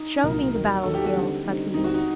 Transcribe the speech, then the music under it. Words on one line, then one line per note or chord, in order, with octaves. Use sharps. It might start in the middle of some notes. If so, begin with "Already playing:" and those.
'Show me the battle-field,' said he.
Already playing: D#4
C2 A#2 F#3 A#4
D#2 D#3 F#3
D#2 D#3 F#3 A4
G4
F#4
D3 G3 C4 D#4
D3 G3 C4 D#4
D#2 D3 G3 C4 D#4
F#4
D#4